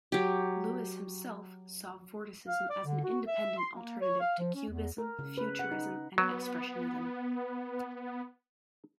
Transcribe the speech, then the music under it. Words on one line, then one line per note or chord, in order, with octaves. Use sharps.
Lewis himself saw Vorticism as an independent alternative to Cubism, Futurism and Expressionism.
F#3 G4
F5
D5
D3
F#4
E5
C6
A#3
C#5
F5
F3
C#4
E2
A#4
C#3
B4
F#5
D#4
F#3 B3